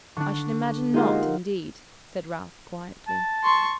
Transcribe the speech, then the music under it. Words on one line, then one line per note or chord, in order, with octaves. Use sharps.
'I should imagine not, indeed!' said Ralph, quietly.
D3 D4 C#6
G#3 A#3 D#4 F4 G4 A#4 F#5
A5
C6 C#6